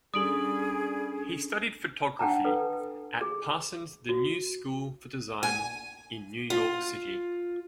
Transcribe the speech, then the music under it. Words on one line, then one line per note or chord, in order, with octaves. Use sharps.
He studied photography at Parsons The New School for Design in New York City.
G3 C#4 D4 G#4 A4 D#6 D7 F#7
D4 F#5 G5 A5 A#5
A4 B4
G#4
F#4
G#5
F4